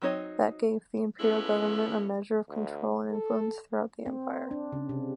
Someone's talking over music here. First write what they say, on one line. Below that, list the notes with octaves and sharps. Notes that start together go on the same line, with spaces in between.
That gave the imperial government a measure of control and influence throughout the empire.
F#3 C4 D#4 C#5 D#5
F3 G#3 A3 B3 C#4 E4
D2
A4
C4
D4
C#3
C3